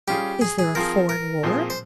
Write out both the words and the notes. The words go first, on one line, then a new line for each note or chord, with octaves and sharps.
Is there a foreign war?
G3 C#4 F4 G4 G#4
G#4
G#4
F3 C4 F4 G#4 A#4
A#4
A#2 F3 C4 F4 G#4
C5